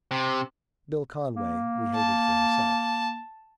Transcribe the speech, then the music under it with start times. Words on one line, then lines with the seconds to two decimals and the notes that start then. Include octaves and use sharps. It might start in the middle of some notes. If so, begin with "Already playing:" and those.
Bill Conway we hated for himself.
0.11 C3
1.36 A#3
1.95 A5